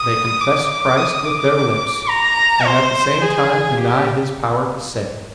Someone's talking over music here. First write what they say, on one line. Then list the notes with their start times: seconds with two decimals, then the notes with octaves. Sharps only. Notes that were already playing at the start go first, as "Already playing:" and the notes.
They confess Christ with their lips, and at the same time deny His power to save.
Already playing: D#6
0.41 D6
0.97 D#6
1.26 D6
2.09 A#5
2.65 C5
3.22 G#4
3.78 G4